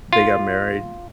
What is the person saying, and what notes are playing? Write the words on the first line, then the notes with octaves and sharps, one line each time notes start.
they got married.
F4